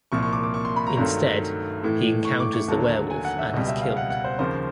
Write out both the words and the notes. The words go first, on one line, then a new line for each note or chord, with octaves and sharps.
Instead, he encounters the werewolf and is killed.
C2 A#2 F3 C#6
C#6
D6
D6
C#6
C6
B5
A#5
G2 D#3 F#3 A3 C6
A2 E3 A3
C#6
D6
C#6
D#2 D3 F#3 A5
G#5
F#5
E5
C#2 B2 G3 D#5
E5
F5
F#5
F#5
C5
D#2 C#3 F3 C5